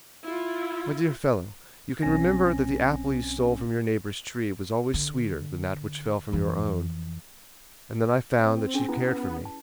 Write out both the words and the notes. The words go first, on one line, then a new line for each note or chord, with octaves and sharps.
"My dear fellow, you can remember that the apple you stole from your neighbour's tree was always sweeter than that which fell from your own. And then I found that she cared for me."
E4 F4
B1 C4 C#4 G#5 A#6
D3
F2 E3
C4
C#4 G#4 G#5
B3 E4
B4
A5